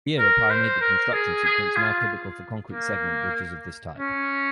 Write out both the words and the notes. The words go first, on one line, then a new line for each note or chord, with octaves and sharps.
Viera pioneered the construction sequence now typical for concrete segment bridges of this type.
A#4
C5
A#4
G#4
G#4
F4
A#3
C#4